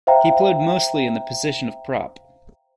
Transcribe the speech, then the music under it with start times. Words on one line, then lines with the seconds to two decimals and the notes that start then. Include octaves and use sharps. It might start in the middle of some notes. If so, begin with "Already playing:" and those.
He played mostly in the position of prop.
0.07 C5 E5 F5 G5 A#5